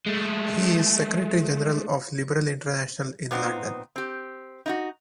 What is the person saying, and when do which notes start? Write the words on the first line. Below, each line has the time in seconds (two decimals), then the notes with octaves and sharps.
He is secretary-general of Liberal International in London.
0.07 G#3 A3
3.31 A#2 B3 C4 D#4
3.96 C4 G4
4.66 D#4 E4 F#4